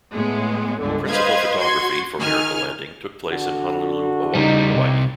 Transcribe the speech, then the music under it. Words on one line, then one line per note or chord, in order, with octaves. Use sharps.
Principal photography for "Miracle Landing" took place in Honolulu, Oahu, Hawaii.
A2 G#3 B3
C#2 G2 D3
B4 C5 D#5 F5 G#6
F#4 C6 G#6
D#3 G#5 F6
D3 F#4
C#3 G3 D#4
C2 C3